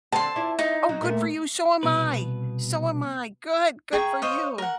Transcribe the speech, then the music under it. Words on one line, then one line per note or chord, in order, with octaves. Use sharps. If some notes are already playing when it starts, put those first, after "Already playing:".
Oh, good for you! So am I! So am I, good! Good for you!
D3 C4 A5 C6
E4 F4 D5
D#4
F#3
A#2 A3 A#3
C2 F#2 B2 B4
G#4 G5 A#5 C#6
C5 C#5 D#5 F5
A#4 F#5